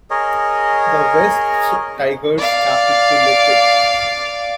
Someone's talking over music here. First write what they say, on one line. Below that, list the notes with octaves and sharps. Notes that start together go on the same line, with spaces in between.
The Wests Tigers capitulated.
G#4 A#4 C#5 D#5
D5 F5